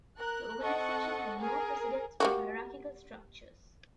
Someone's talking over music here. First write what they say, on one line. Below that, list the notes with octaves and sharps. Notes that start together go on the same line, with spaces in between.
The organization had no presidents or hierarchical structures.
A#4 F#6
C4 A4 D#5 F#5 C#6
G#4 A#4
G3 A#3 F#4